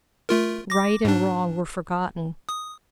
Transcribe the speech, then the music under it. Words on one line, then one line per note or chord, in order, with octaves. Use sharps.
Right and wrong were forgotten.
A3 F4 A#4
D6 A#6
G#2 D4
D#6